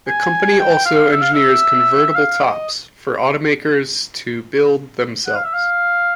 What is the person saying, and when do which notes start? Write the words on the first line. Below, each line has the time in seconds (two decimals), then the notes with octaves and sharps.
The company also engineers convertible tops for automakers to build themselves.
0.08 G#5
0.60 G5
0.86 F5
1.12 E5
1.21 F5
1.34 E5
2.15 F5
2.40 D#5
5.26 F#5
5.35 F5
5.44 E5
5.53 F5